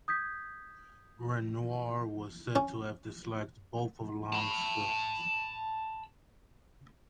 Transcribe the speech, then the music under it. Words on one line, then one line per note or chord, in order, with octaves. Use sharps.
Renoir was said to have disliked both of Lang's films.
D#6 G6 G#6 B6
C#4
A5 B5